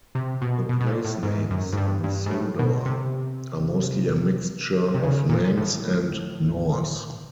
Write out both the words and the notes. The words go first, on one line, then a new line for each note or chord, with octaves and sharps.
The place names on Sodor are mostly a mixture of Manx and Norse.
C3
B2
B2
B2
A#2
A2
G#2
F#2
G#2
G2
G2
G#2
A2
B2
C3
C3
C#3
A#2
A2